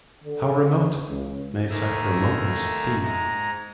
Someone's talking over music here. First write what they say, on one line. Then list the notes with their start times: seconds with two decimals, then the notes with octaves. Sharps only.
How remote may such "remoteness" be?
0.24 D3
1.08 C#2
1.70 D#2 A3 G#4 A#4 E5
3.02 G#2 G#3 A#5